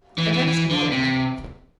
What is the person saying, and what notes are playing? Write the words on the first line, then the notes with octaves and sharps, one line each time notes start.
The next morning.
E3
E3
E3
D3
C3